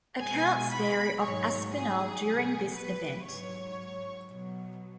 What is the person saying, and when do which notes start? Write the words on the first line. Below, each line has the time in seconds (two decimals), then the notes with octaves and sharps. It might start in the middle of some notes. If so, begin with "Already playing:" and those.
Accounts vary of Aspinall during this event.
0.20 B2 G#3 G#5
0.71 B5
1.21 G#2 D#3 F#3 C#5
1.73 G#4
2.24 B2 F#3
2.75 B4
3.25 G#2 F#3 C#5
4.28 B2 F#3